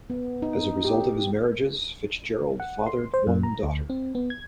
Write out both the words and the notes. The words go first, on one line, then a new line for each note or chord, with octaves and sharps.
As a result of his marriages, Fitzgerald fathered one daughter.
B3
D#4
G4
F#5
C6
C5
F#2
A#5
D2
C4
B3
G#6